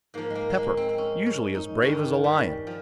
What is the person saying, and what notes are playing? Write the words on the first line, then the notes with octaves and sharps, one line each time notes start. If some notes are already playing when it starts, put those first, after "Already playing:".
Pepper, usually as brave as a lion!
G#2 F3 A#3
G#3
A#3
A#3
G#3
C4
C4
C#4
C#4
D#4
G2 D#3 C#4
G3
F3